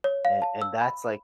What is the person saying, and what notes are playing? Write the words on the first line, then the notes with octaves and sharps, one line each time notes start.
A and that's like,
C#5
F5
A5
E6
B5